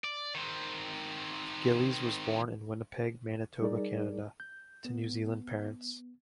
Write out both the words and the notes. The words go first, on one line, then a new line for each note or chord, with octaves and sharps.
Gillies was born in Winnipeg, Manitoba, Canada to New Zealand parents.
D5
D#3 C4
G3 D#4 G#4 A#4 D5
G6
B3